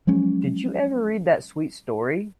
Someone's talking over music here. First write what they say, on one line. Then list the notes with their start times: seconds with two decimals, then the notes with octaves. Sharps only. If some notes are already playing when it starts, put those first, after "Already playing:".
Did you ever read that sweet story?
0.07 F3 F#3 G#3 C#4